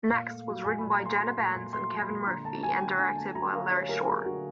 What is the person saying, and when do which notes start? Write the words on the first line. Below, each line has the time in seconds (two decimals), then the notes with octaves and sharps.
"Next" was written by Jenna Bans and Kevin Murphy and directed by Larry Shaw.
0.11 A#2 F5
0.29 A3
0.47 F#3
0.64 A#2 G#5
0.78 A#2 B5
0.91 A#5
1.01 A3 C6
1.19 F#3
1.37 A#2
1.55 A#2
1.73 A3 C6
1.91 F#3
2.01 B5
2.09 A#2
2.27 D3 A#5
2.45 A3 A5
2.63 F#3 G#5
2.81 D3 G5
2.99 D3 G#5
3.17 A3 A5
3.35 F#3 A#5
3.53 D3 F5
3.71 D3 C#5
3.89 A3 A#4
4.07 F#3 G#4
4.25 D3 F#4